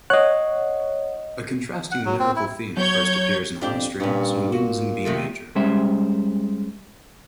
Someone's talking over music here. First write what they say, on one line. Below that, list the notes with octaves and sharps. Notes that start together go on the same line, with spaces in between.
A contrasting lyrical theme first appears in high strings and winds in B major.
C#5 D#5 F#5 F#6
F#5
F#3
C4
E4
F#3 C#5 G6 G#6
F2 D4 G4 D5
G2 A#2 C#4
A#2 F#4
C3 D#3 A3
G3 G#3 C#4 G4 C5 E5